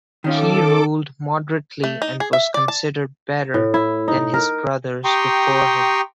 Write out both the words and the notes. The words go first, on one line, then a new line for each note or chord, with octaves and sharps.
He ruled moderately and was considered better than his brothers before him.
D#3 C#4 F4 A4 D6
A3
D#4
G#4
E5
D5
A5
A2
E4
D#4
A#4
G4 G5 A#5 C6 C#6 D#6